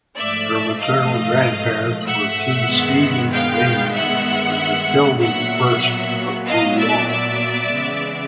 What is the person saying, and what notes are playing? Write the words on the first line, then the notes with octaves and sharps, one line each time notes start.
Her maternal grandparents were King Stephen of England and Matilda I of Boulogne.
G#2 F3 A3 D5 E5
D#5 F5
E5 F#5
G2 D#3 G#3 B3
F5 G5
E5 F#5
A#2 F#3 B3 E5 F#5
D#5 F5
D5 E5
D5 E5
C#3 E3 G#3 B3